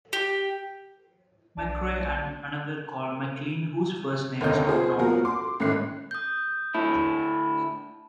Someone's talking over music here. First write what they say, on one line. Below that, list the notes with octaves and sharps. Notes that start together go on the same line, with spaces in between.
McRae, and another called MacLean, whose first name is not known.
G4
B1 D4
F1 D#2 D3 C#5 D#5 G6
F4 G#4 C5
F#3 B3 F4 F#4 A#4
C6 D6
A1 A2 D#3 F#6 C7
D#6 G6
D2 A2 E4 A5